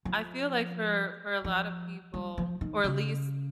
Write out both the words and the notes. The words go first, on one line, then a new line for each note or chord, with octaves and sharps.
I feel like for for a lot of people or at least
F3
F3
G3
F3
D#3
C#3